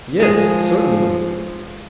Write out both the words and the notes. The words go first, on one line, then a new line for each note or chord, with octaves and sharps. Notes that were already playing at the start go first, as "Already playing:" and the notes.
Yes, certainly.
F3 G#3 G#4